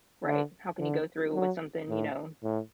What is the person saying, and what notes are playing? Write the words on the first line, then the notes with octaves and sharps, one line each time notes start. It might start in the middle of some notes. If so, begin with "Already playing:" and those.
Right, how can you go through with something, you know?
D3
D3
F#3
A2
A2